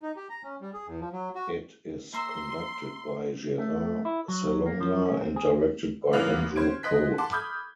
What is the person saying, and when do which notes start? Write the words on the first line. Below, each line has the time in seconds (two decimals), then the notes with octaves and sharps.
It is conducted by Gerard Salonga and directed by Andrew Pole.
0.02 D#4
0.16 G4
0.29 A#5
0.43 C#4
0.61 G3
0.74 G#4
0.87 E2
1.01 F3
1.13 F#3
1.35 F#4
2.14 A#3 A#5 C6 E6
3.58 A3
4.05 E4
4.28 F#3
4.66 A#3
4.81 F3
5.06 C#4
5.21 C4
5.36 G#4
6.13 A1 C3 E3 F5 F#6 F7
6.56 C#4 C5 G#6 D7
6.83 D#5 C6 F#6 B6
7.18 F#5 A5 C6 D6
7.31 B5 D6 D#6 F6 G6 G#6